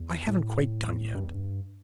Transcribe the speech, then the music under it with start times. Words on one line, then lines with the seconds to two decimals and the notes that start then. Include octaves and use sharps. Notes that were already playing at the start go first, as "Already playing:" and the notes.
I haven't quite done yet.
Already playing: E2
0.28 A2
1.15 G2
1.24 E2
1.34 G2